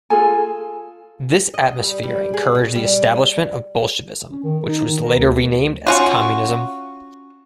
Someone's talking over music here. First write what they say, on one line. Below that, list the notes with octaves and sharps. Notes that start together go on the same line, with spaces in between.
This atmosphere encouraged the establishment of Bolshevism, which was later renamed as communism.
F4 G#4 A4 G#5
D#5
G3
G3
G#4
B2
G3
C#4
D#3
D#4
D#3
A#4
D2
C#4 F4 F#4